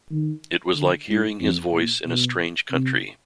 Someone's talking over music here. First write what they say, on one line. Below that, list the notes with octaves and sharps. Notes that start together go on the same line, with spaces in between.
It was like hearing his voice in a strange country.
D#3
D3
G#2
F2
A#2
B2
C3